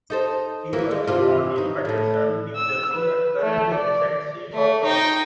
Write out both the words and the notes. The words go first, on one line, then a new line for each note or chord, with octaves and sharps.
He was born in Paterson, New Jersey, and currently resides in Hawthorne.
D#4 A4 C5
E3 A#3 E4
G#3
G2 C3 F4
B2 D#4
A2 A3
E6
B4
A3
D5
A3
D#4 G5